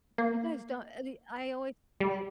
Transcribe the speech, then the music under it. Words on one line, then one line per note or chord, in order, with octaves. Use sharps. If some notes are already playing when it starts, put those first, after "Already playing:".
You guys don't any I always had
A#3
G3